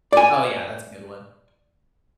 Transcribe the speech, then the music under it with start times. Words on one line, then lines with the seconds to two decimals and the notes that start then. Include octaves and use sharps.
Oh, yeah, that's a good one.
0.13 D5 G#5